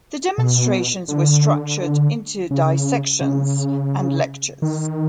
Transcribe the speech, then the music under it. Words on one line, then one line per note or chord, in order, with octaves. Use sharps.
The demonstrations were structured into dissections and lectures.
B2
D3
C#3
C#3
D#3